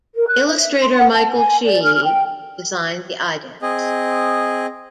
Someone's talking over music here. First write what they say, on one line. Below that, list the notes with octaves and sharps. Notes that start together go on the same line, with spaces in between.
Illustrator Michael Sheehy designed the idents.
A#4
F#6
E5
C6
F#5
A5
G#5
D5
F6
G5
C4 G#4 D#5